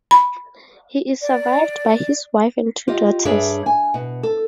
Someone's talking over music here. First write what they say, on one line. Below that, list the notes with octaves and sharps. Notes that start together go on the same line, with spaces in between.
He is survived by his wife and two daughters.
B5
D5
F4 G4 D#5
G2 D4 G#4 C#5 E5
G#5
B2
A4